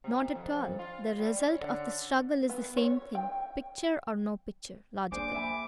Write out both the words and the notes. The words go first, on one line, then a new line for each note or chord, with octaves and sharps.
"Not at all: the result of the struggle is the same thing--picture or no picture--logically."
C3
F2
F4
G3
C#4
D3
B3
C#5
G5
A#3 D4 G#4 C5 D6
E5 G#5 B5